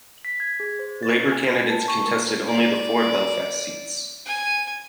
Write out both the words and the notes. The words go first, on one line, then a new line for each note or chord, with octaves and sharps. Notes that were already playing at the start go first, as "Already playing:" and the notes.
Labour candidates contested only the four Belfast seats.
B6
G#6
G#4
C5
A6
G#5
G#5
A5
C#6
A#4
D5
G#5